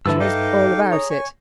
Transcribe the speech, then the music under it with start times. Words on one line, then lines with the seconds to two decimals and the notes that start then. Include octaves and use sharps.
She knows all about it.
0.06 G2 D3 E3 B4 E5 A5 E6
0.20 D#4 A4 D#5 F5 G5 D6
0.92 G#4 C#5 A#5
1.10 G#5 C#6